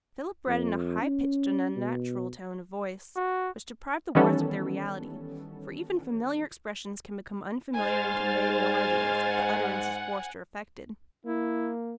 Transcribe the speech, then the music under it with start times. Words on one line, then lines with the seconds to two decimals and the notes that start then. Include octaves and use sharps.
Philip read in a high-pitched and unnatural tone of voice, which deprived the words of their reality; for even familiar expressions can become unfamiliar and convey no ideas, if the utterance is forced or affected.
0.48 F2
1.02 C#4
1.76 B2
3.16 F#4
4.15 D#3 E3 G3 B3 C#4 A4
7.75 G#2 C5 G#5 F6 A6
9.25 F#5
11.26 A#3 E4